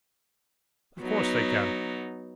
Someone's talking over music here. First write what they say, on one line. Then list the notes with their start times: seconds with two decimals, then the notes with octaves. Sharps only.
Of course they can.
1.01 F#3 B3 D#4